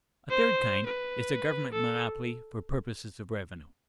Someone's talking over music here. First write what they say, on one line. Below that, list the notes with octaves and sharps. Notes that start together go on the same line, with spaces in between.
A third kind is a government monopoly for purposes of revenue.
C5
B4
A4